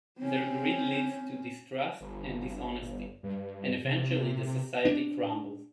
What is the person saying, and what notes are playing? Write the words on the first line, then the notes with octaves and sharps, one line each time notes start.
Their greed leads to distrust and dishonesty, and eventually the society crumbles.
C4 C#4
G1
G2
C3
D4